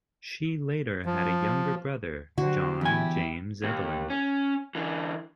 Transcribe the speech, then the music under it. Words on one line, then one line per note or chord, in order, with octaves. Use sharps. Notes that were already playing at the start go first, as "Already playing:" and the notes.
She later had a younger brother, John James Evelyn.
F3
D3 F#3 F#4 G4 C5
E2 E4 G4 G#5
D#2
C#4
D3 E3